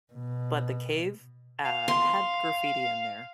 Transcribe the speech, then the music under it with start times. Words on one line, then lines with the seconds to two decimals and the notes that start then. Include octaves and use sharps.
but the cave, uh, had graffiti in there,
0.13 B2
1.65 F5
1.88 C6